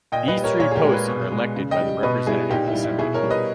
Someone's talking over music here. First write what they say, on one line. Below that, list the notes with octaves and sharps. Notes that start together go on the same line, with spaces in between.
These three posts are elected by the Representative Assembly.
A#2 D#5 G5
B4 D#5
G3
A#4 C#5
A#2 A#4 C#5
G#4
G4 A#4
G#3
G#4 B4
B2
G#3
C#3
D#5 G5
G3
B2 B4 D#5
G3 E4 G#4
A#2 D#4 G4
E4
G3
E4
B2 E4 G#4
A#4 C#5
G3
B4 D#5